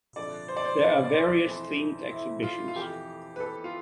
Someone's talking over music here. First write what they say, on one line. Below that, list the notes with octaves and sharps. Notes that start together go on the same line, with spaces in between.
There are various themed exhibitions.
F2 D3 F3 A3 D5
C5
D5
C5
B4
D5
C5
F2 E3 A3
E4
F4
F4
F2 E3 A3 G4
B4
A4
F4